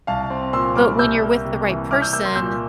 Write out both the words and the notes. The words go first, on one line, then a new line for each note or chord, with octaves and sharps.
but when you're with the right person,
C2 F5 A5
C4
A#2 C6 E6
G3 D6 F6
C2 E6 G6
A#3
C3
E3
C2 D6 F6
E6 G6
A#3 E6 G6
C6 E6
A#2 E6 G6